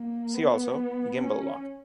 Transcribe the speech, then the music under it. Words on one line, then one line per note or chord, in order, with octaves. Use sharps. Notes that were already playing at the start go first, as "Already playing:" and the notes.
See also: Gimbal Lock.
Already playing: A#3
B3
C#4